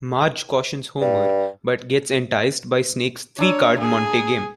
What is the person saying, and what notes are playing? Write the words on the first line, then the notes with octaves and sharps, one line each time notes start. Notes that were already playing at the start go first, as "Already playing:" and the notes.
Marge cautions Homer, but gets enticed by Snake's Three-card Monte game.
G2
D4 C#5 A#5 E6
G#4